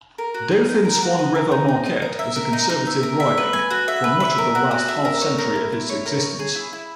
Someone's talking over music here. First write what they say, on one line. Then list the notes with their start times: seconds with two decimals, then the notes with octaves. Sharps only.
Dauphin-Swan-River-Marquette was a conservative riding for much of the last half-century of its existence.
0.18 A#4
0.34 F#4
0.51 D#4
0.69 D#4
0.85 A#4
1.02 F#4
1.18 D#5
1.35 A#4
1.52 D#4
1.68 D#4
1.86 D#5
2.02 A#4
2.19 E5
2.36 A#4
2.53 D#4
2.70 D#4
2.87 E5
3.03 A#4
3.20 E5
3.37 B4
3.53 G#5
3.71 F#4
3.88 E5
4.04 B4
4.20 E5
4.38 A#4
4.55 F#4
4.71 F#4
4.88 E5
5.05 A#4
5.22 C#5
5.38 A#4
5.56 E4
5.72 E4
5.89 C#5
6.06 A#4
6.22 C#5
6.39 G#4
6.55 E4
6.73 E4